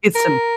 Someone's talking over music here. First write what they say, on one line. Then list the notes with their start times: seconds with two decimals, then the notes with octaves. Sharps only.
It's m
0.15 A#4